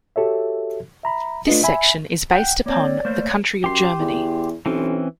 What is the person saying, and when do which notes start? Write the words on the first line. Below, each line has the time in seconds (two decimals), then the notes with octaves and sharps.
This section is based upon the country of Germany.
0.16 F#4 G4 A4 C#5 E5
1.03 E5 A#5 B5
1.48 A3 D4 F4 B4 D#5
1.63 E5 G#5 B5
2.30 F#5 G5
2.66 A#3 C4 C#5 D5
3.05 A3 A#3 C5
3.64 F#2 G4 C6
4.00 E2
4.66 B1 E3 C4 C#4